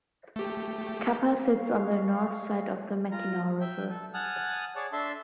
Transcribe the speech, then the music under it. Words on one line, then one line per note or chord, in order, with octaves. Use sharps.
Kappa sits on the north side of the Mackinaw River.
A3 G4
C#5 F5
F4 A#5
E5 G5
A4
F#5 G#5 A5 D#6 F6 F#6
G#4 C#5 D5 A5
D4 A4 E5 A5 C6